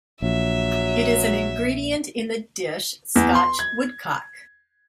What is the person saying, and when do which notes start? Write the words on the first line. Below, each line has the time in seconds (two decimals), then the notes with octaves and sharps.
It is an ingredient in the dish Scotch woodcock.
0.22 A#1 F#3 E5
3.16 E2
3.35 C6
3.59 G#6